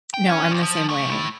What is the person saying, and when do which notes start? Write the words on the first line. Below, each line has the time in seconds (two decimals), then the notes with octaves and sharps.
No, I'm the same way.
0.14 G5
0.29 C#4
0.51 E2 C#3
0.63 F3
0.89 E3 A3
1.10 A3 E4